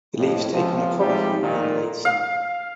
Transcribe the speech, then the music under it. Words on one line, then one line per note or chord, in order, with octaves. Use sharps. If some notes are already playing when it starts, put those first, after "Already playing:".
The leaves take on a copper hue in late summer.
F2 A2
C#2 C3 F3
G#2 C3 F3 G3 G#3 G4
F2 A#2 D#3
F5